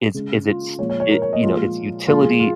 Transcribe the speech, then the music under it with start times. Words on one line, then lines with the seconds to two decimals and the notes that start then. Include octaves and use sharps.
Is is its it you know, its utility
0.14 C#3 G#3
0.47 F4
0.79 A#2 F3 G#3 C#5
0.90 C#5
1.00 C#5
1.11 A#4
1.22 C#5
1.33 D#5
1.43 A#2 F3 G#3 F4
2.07 A#2 F3 G#3 F4
2.23 G#4
2.40 F4